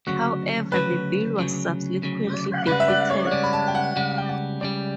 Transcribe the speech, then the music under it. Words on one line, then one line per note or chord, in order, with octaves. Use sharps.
However the bill was subsequently defeated.
D2 C#3 F#3 F#4
D2 C#3 F#3 B4
D2 C#3 F#3
D2 C#3 F#3
C#2 C#3 G3 B4
E5
D5
C#5
C#2 C#3 G3 D5
B5
A5
G5
F#5
C#2 C#3 G3 F#5
G5
F#5
C#2 C#3 G3 D5